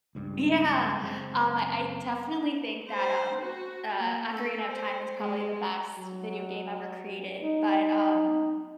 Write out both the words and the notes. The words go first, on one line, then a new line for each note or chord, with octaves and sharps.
Yeah. Um, I I definitely think that, um, uh, Ocarina of Time is probably the best video game ever created. But, um,
C#2 G2
F#1 G#3 C4
C5
F#4
A#3
A3 A4
C5
G#3
F#3
D#4